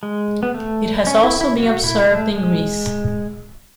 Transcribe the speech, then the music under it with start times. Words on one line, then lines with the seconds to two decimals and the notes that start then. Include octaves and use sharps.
It has also been observed in Greece.
0.03 G#3
0.43 B3
0.54 A3
1.07 C#4
1.23 E4
1.41 E4
1.58 F#4
1.84 E4
2.10 A3
2.36 G#3